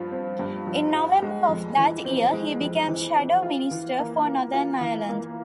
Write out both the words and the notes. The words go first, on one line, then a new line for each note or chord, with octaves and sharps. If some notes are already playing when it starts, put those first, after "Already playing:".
In November of that year he became shadow minister for Northern Ireland.
Already playing: G2 F3 F4
C4
G2
F3
F4
G#3
F2
E3
C4
G#3
F2
E3
C4
F4
E3
A#3
A#4
F4
E3
A#3